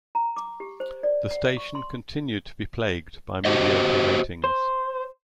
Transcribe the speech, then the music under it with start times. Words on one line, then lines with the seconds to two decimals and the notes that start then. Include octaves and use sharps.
The station continued to be plagued by mediocre ratings.
0.15 A#5
0.36 D6
0.60 G4
0.80 C5
1.03 D5
1.31 F#5
1.57 C#6
1.75 C6
3.45 F#4 G4 C5 D#5
4.44 C5